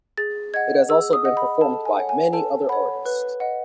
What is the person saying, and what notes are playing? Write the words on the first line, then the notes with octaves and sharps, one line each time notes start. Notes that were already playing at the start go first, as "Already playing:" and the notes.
It has also been performed by many other artists.
G#4 A6
D#5 F#5 G#6
G#4 E6
D#6
D#5 F#5
B5
A4 A5
G#5
C#5 F#5
G#5
A4 A5
C#5 F#5 B5
B4
D#5 F#5